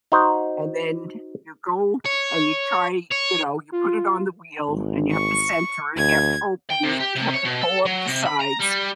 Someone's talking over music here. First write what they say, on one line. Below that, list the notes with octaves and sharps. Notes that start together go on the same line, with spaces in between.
and then, you go and you try, you know you put it on the wheel and you have to center it, you have to open it, you have to pull up the sides,
D#4 F#4 C5
C#5
C#5
F4
G#1
C#6
D2 G#6
G5
C3
G4
C3
C#5
B2
A4
F#3
C3
B5
A#5
G3